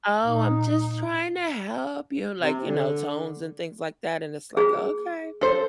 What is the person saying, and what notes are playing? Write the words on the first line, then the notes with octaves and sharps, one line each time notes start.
"Oh, I'm just trying to help you," like, you know, tones, and things like that, and it's like, "Okay."
A#2 D#4
C3
D3
G#4
A4 C5